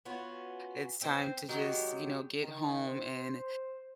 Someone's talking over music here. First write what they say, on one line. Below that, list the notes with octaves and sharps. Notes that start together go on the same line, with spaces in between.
it's time to just, you know, get home and
B3 C#4 F4 F#4
C4 D4 C5
D#3 F#3 G#3 G4
D#3
C5